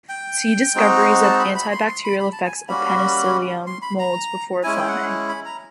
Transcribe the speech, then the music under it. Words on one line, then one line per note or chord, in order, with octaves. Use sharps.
See Discoveries of anti-bacterial effects of penicillium moulds before Fleming.
G5
G#3 C4 D#4 F#4
A5
B5
B5
C6
C6
B5
B5
A5
G#5
G3 A#3 C#4 F#4 B5
C6
B5
A#5
G#3 C#4 E4 G#5
G5
F#5
B5
A#5